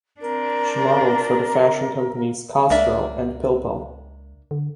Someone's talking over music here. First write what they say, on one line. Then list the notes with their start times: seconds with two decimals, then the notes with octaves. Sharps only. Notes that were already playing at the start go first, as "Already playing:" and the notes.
She modeled for fashion companies "Castro" and "Pilpel".
0.21 C4 D4 A#4
2.70 C#2 A#3 D4 E5
4.51 D3